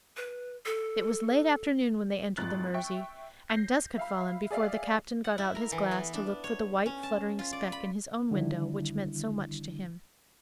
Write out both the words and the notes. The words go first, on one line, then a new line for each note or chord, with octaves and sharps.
It was late afternoon when they entered the Mersey, and dusk had fallen before the Captain got out his glass to look for the white fluttering speck in his own window which meant so much to him.
B4
A4
G#1 F2 F#6 A6
E5 G5 C#6
G6 A#6 C7
E5 F5 B5
G#4 D5 E5 F5
F#5
E4
A#4
E3
B3
D4
C#5
C#4
A5
F4
D5
B5
D3 D#3 G3 D4 E4